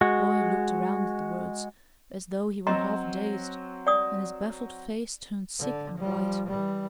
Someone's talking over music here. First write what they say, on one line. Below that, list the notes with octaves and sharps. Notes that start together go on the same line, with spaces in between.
The boy looked around at the words, as though he were half dazed, and his baffled face turned sick and white.
G#3 F#4
F#3 C4 F#4 D#5 A#5 C6
D5 D#6
D3
F3 G3
E3 G3